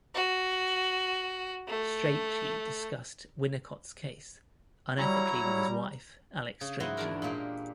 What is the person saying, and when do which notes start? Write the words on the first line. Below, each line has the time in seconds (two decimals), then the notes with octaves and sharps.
Strachey discussed Winnicott's case, unethically with his wife, Alix Strachey.
0.15 F#4
1.68 A3
4.98 F#3 G3 E4 C#5 A#5
5.41 G3
6.61 C#3
6.80 G#2 F#3 E4 F#4 C6
6.97 E2 D4 A#4
7.22 A#2 G#3 A#3 G4